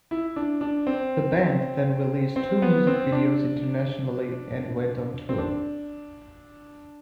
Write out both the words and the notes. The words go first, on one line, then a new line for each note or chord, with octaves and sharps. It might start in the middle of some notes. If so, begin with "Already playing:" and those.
The band then released two music videos internationally and went on tour.
E4
D4
D4
C4
C4
B3
C4
D4
C4
D4